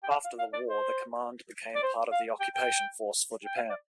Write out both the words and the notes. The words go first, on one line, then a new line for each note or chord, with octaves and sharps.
After the war the command became part of the occupation force for Japan.
G5
F5
F5
F5
D5
C5
D5
C5
F5
G5
G5
G5
F5
D5